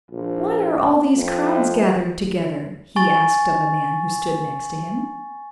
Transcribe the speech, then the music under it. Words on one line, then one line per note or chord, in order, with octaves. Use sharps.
'Why are all these crowds gathered together?' he asked of a man who stood next him.
A#1
F2
G#5 C#6 A6